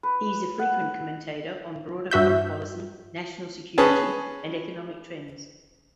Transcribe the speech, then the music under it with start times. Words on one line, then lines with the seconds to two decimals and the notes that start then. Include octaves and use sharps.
He is a frequent commentator on broader foreign policy, national security, and economic trends.
0.03 B4
0.59 F#5
2.11 G2 F#4 E5 G6
3.78 C#4 G#4 B4 A5